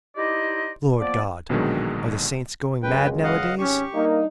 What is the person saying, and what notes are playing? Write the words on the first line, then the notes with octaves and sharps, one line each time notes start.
Lord God! Are the saints going mad nowadays?
D#4 E4 G4 C5 D5 D#5
F3 A#3 B3 D5
A#1 B2 D3 D#3 F#3 G#3
C#2 F#2 G#3 B4 G5
D#5 F5 F#5
G#1 C#4 G4 C#6
G3 A#3 D4 D#4